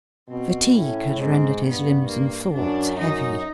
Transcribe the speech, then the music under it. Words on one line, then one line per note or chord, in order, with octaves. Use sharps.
Fatigue had rendered his limbs and thoughts heavy.
B2 C4
A2 C#4
G#2 C4
G2 B3
A#3
F#2 D4
F#2 D#4